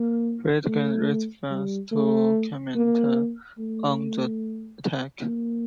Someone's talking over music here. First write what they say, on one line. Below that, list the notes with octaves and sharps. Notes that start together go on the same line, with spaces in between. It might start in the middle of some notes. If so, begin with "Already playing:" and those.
Friedkin refused to comment on the attack.
Already playing: A#3
A3
G3
A3
A#3
A3
A#3